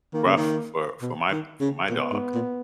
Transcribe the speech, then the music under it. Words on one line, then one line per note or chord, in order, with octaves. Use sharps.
rough for for my for my dog,
D#3 A#3
C#3
D#3
B2
D#3
C#3
A#2 B3
G#2
A#2